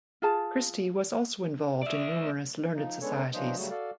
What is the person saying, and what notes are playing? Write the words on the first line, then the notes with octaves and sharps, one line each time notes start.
Christy was also involved in numerous learned societies.
F4 G#4 A5
D5 E5
F3 D#4
G#3 B3 C#4 D4 A4 C#5
E3 F#3 A#3 D4 C5 D#5
C#3 F#3 G3 A3 F#4
F#4 A4 D5 F5